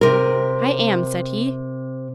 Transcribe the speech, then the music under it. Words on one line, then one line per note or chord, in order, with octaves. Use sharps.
"I am," said he.
C3 A#4